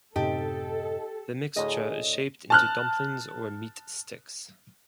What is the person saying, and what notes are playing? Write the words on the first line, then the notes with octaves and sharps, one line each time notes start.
The mixture is shaped into dumplings or meat sticks.
F#2 A2 C3 D#4 G4 A4 D#5 A5
D2 A2 D3 G#4 D#5
A5 F6 F#6